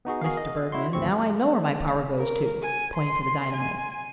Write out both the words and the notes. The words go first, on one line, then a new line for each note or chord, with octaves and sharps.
Mr. Bergmann, now I know where my power goes to,' pointing to the dynamo.
B3 D#4 F#4 G#4
F#4 G#4 A#4 F5
D#5
E4 F#4 C6
G#1 D2 C4 C#6
A#4
G#5
C6
G#5